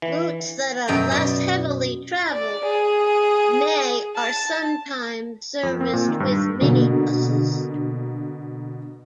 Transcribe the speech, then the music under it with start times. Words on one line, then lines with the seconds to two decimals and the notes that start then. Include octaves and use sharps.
Routes that are less heavily traveled may are sometimes serviced with minibuses.
0.02 E3
0.88 F#2 B2 G5 A#5
1.11 B2 D5
2.33 D5
2.66 G#4
4.16 A5
5.63 F2
5.81 C4
5.93 A#2
6.09 D#3
6.20 G2
6.61 B2 D3 A#3